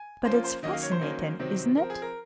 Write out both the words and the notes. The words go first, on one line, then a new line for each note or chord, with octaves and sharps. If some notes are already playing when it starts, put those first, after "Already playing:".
But it's fascinating, isn't it?
Already playing: G#5
F3 A#3 C#4 C5
F4
C5
D#3 F#3 A#3 C#4 D#5
F5
C#5
C5
D#3 F#3 A#3 C#4
C3 D#3 F#3 C4
F3 C4 A#4
G#4
A#4